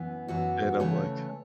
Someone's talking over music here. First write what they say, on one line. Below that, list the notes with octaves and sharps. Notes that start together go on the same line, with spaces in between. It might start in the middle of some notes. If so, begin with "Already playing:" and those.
and I'm like
Already playing: F#2 E3 B3
F#2 E3 B3 F#4
C#3 E3 A3 C#5